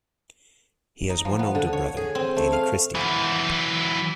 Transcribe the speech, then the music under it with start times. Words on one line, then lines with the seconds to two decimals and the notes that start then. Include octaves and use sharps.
He has one older brother, Danny Christie.
1.10 D#4
1.25 F3
1.39 B3
1.55 D3
1.73 C#5
1.97 G#4
2.15 C4
2.36 A3
2.53 F5
2.95 E3 F#3